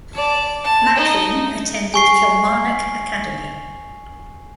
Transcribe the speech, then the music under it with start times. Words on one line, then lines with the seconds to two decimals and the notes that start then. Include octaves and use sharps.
Macklin attended Kilmarnock Academy.
0.15 D5 A5
0.64 A5
0.95 D#4 D#5
1.94 G#5 C#6 C7